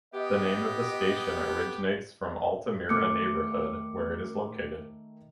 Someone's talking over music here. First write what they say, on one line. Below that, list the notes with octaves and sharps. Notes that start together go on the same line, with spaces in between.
The name of the station originates from Altamira neighbourhood where it is located.
B3 G4 D#5
D#3 A3 D6 C#7